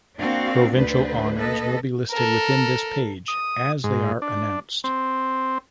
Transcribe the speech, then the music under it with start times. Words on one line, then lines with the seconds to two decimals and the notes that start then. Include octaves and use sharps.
Provincial honours will be listed within this page as they are announced.
0.19 A#3 C4 D4 F#4 F5
0.74 D2 D3 B4 C5
1.35 A#3 A4 B4 D#5
2.11 A4 A#4
3.28 D#6
3.84 G#2
4.22 D4
4.84 C4